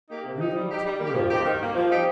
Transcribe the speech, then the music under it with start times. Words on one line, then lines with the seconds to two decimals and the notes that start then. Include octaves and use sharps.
Really terrible.
0.09 A#3 D#4 G4
0.24 C3
0.39 F3 D#4 G4
0.55 G3
0.69 D#4 G4
0.85 G3
1.00 A#3 G4
1.14 F3
1.29 C4 D#4 G4
1.44 D#3
1.60 G3 A#3
1.75 F3
1.90 C4 D#4 G4